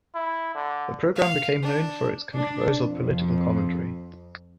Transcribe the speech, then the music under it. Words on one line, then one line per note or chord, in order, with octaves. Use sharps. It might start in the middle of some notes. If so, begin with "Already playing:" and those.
The program became known for its controversial political commentary.
E4
D3
F5
D4
D4
F2